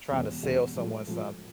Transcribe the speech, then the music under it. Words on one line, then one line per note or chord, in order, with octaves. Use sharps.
trying to sell someone something.
E2 B2 G#3 C#4
E2 B2 G#3 C#4
A2 F3 G#3
A2 F3 G#3